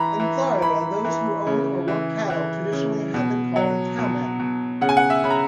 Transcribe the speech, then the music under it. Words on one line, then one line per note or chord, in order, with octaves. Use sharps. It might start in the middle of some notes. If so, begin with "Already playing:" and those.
In Florida, those who own or work cattle traditionally have been called cowmen.
Already playing: E3 A#5 B5
E3
E3 B5
E3
C#3
E3
E3
C#3
B2
F#3
B2
B2
C#3 F#5
G#5
F#5
E5
C#3 B5
A#5